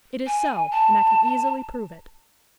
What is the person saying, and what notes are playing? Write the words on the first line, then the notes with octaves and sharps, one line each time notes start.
It is so, and I can easily prove it.
G#5
A5